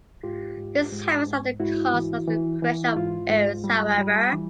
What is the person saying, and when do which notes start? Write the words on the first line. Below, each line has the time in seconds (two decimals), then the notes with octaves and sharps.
This happens at the cost of the correction of errors, however.
0.23 G#2 F4 G4
0.57 G#2
0.92 G#2
1.26 G#2
1.60 G#2 E4 F#4
1.93 E3
2.27 E3
2.62 E3
2.85 E4
2.96 G#2 F4
3.30 G#2
3.64 G3
3.98 G3
4.32 E3